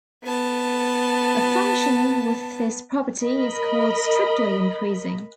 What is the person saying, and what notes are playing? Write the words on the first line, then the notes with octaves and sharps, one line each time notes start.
A function with this property is called strictly increasing.
B3 A5
A#4 D#5 B5